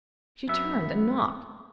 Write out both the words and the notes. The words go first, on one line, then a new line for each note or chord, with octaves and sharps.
She turned, and knocked.
F#2 B3 E5